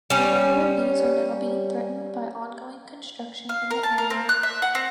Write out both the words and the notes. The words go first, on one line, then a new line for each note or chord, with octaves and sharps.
A number of these are now being threatened by ongoing construction in the area.
G3 C#4
F5
A#4
A5
A#4
C4
F#6
E5
F#5
C4